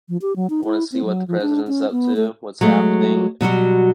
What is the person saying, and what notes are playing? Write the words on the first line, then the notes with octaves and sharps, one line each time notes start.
I wanna see what the president's up to, what's happening.
F3
G4
F#3
D#4
E4
C4
F#3
F3
D4
C#4
B3
A3
F#3 G#3 A3
B2 F#3 G3 F#4